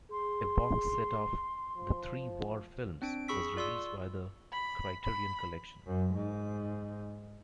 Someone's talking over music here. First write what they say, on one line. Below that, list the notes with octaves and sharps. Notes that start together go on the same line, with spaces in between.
A box set of the Three War Films was released by The Criterion Collection.
G#4 C6
F3
C4 D4 D7
G#4 B5 C#6 E6 B6
F4 D5 C6 C#6 E6
B5
B5
F#2
G#2